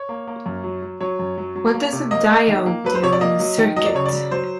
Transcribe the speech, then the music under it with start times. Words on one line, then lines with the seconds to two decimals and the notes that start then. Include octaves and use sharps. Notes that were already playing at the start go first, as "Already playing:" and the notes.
What does a diode do in a circuit?
Already playing: C#5
0.09 A#3
0.27 A#3
0.46 F#2
0.64 F#3
0.82 F#3
1.00 F#3 C#5
1.19 F#2
1.38 F#3
1.56 F#3
1.74 A#3
1.93 C3
2.11 A#3 D#5
2.29 A#3
2.48 D#3
2.66 A#3
2.85 F#3 B4
2.95 C5
3.03 C3 C#5
3.13 D5
3.21 A#3 D#5
3.40 F#3
3.58 D#3
3.76 F#3 D#5
3.86 D5
3.95 C#3 C#5
4.06 D5
4.13 F#3
4.31 F#3 C5